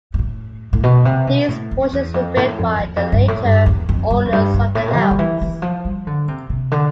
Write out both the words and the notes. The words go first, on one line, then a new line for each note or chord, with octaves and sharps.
These portions were built by the later owners of the house.
G2
A2
A2
B2
C3
B2
A2
F2
E2
F2
A2
F2
E2
F2
G2
A2
G2
E2
F2
G2
F2
G2
G2
A2
G3
D3
E3
E3
F3
G3
D3
C3
C3
D3